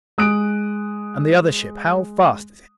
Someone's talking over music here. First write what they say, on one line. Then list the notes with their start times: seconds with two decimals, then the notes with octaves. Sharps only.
"And the other ship--how fast is it?"
0.18 G#3 D#6 F#6 D7